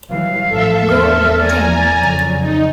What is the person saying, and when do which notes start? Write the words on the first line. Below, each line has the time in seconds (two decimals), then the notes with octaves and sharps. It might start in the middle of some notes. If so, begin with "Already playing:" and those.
Go with ten!
0.10 E3 F#3 G3 F5
0.49 A1 F3 A4 E5
0.87 E2 A#4
1.39 D5 G#5 A#5
1.96 F2 C#3 F#3
2.41 D#4